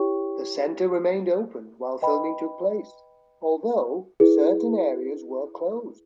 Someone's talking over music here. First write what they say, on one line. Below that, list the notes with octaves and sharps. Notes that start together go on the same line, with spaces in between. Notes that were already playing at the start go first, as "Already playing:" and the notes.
The center remained open while filming took place, although certain areas were closed.
Already playing: E4 G4 C#5 G5 C#6
B4 D#5 G5 B5
E4 G#4 B4